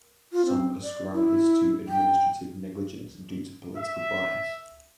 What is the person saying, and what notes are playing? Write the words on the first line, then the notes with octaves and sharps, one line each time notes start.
Some ascribe this to administrative negligence due to political bias.
F4
C4
D5
E4
G5
E5